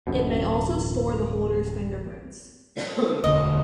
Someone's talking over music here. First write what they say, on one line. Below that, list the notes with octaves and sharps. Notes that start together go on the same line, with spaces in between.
It may also store the holder's fingerprints.
D1 A1 F#2 B2
E1 D2 D3 D#5